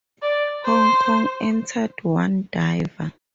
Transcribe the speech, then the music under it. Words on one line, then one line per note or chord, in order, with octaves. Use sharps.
Hong Kong entered one diver.
D5
C5